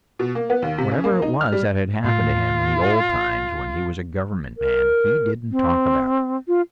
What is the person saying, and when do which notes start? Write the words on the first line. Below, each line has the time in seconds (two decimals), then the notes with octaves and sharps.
Whatever it was that had happened to him in the old times when he was a Government man he didn't talk about.
0.19 B2
0.35 A#3
0.50 B3
0.62 D#2
0.78 C3
0.91 C#3
1.04 A#3
1.22 D#4
1.41 F6
1.52 G3
2.04 A2 F4
4.57 A#4
5.51 C4
6.48 F4